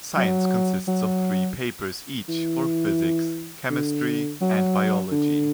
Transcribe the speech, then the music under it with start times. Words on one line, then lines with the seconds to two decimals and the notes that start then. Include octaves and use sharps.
Science consists of three papers each for Physics, Chemistry, and Biology.
0.17 F#3
0.88 F#3
2.28 E3
3.70 D3
4.41 F#3
5.11 D3